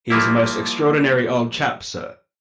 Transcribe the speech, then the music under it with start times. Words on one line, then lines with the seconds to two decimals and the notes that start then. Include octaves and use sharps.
He is a most extraordinary old chap, sir.
0.10 F3 G3 A#3 E4